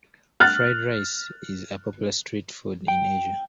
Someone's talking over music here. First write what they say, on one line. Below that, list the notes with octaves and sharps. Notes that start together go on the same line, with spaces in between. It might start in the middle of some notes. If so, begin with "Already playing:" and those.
Fried rice is a popular street food in Asia.
F6 F#6 A6
G5